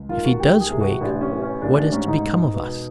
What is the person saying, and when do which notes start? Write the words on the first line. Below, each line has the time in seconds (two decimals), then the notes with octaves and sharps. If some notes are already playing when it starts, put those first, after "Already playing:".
"If he does wake what is to become of us?"
Already playing: C#2
0.09 D#3 F4
0.25 F#4
0.40 C#2 G4
0.60 G#4
0.70 C3
0.80 F#4
1.01 A1 D4
1.21 C#4
1.31 E3
1.42 C#4
1.62 A1 D4
1.77 D4
1.92 G#2 C#4
2.08 D#4
2.24 E1
2.54 B2